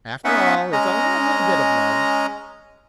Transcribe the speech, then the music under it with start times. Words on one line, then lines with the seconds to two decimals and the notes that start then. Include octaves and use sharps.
After all, it's only a little bit of love.
0.25 B3 C#4 D#4 B4 E5 F#5
0.73 G#3 C#4 D#5 A#5